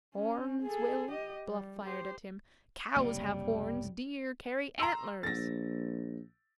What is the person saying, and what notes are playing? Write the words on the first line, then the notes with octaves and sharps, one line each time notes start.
"Horns, Will?" Bluff fired at him; "cows have horns, deer carry antlers!"
C#4
G#4 A4
G4 D#5
G3
G4 C5
F#1 C2 A2 G3 A#3
A#5 C6 E6
A#1 A6 A#6